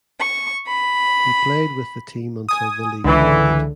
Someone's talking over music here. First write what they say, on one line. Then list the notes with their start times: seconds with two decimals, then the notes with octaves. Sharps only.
He played with the team until the league folded.
0.19 C#6
0.68 B5
2.49 G#5 D#6
3.04 C#2 D3 E3